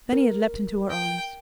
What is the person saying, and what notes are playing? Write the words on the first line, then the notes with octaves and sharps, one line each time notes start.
Then he had leapt into her arms.
A#4
G5